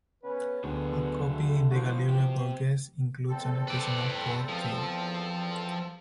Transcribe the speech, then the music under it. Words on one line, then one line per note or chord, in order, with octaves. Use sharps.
A copy in the Galleria Borghese includes an additional fourth figure.
C#3 B3 C#4 B4
D2 D3 F#3 B3 G#4
A3
C#2 A2 E3 F3 F#4 C5
C4 G4
E2 C4 A4
B4 D5
F3